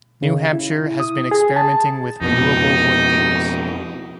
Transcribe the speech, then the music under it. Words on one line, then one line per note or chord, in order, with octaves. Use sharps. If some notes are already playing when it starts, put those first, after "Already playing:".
New Hampshire has been experimenting with renewable wood fuels.
C#3
E4
D#6
G#4
A5
F2 B2 D#4